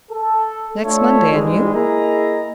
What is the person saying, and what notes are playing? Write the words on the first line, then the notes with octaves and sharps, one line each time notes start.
"Next Monday; and you?"
A4
A3 D4 F4 A4 C#5 E5
G#2 E3 G3 G#3
A#3 E4 G#4 D#5 A#5